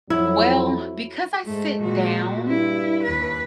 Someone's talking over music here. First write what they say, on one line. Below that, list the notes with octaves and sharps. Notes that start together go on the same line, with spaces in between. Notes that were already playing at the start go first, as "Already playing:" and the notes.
Well, because I sit down
F2 F#3 E4
G#2 G#3 A3
A#2 F#4
G2 E4
D#2 B4